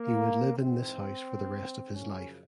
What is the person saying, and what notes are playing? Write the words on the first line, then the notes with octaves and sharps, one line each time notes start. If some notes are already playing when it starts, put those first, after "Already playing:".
He would live in this house for the rest of his life.
Already playing: A#3
G#2 E3 G#3 C4
F#2 C#3 F3 C#4